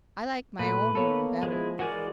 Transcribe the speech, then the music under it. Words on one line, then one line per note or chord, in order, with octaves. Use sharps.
I like my own room better.
A#2 A3 B4
A#3 B3 A4 C#5
F3 G#3 E4
E3 G#3 F#4 A#4 D5 F#5 G#5